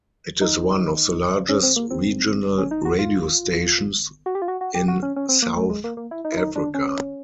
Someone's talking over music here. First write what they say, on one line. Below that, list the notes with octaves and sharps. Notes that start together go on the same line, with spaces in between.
It is one of the largest regional radio stations in South Africa.
D#4
C#4
C4
A#3
C4
C#4
D#4
F#4
F4
F#4
G4
F4
F#4
F#4
G4
F#4
C#4
C#4
C4
A#3
A3
G#3
A#3
A#3
E4
D#4
E4
D#4
D4
C#4